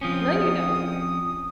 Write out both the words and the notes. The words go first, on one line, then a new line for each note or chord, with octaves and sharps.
No, you don't.
F3 C4 C#4 D#6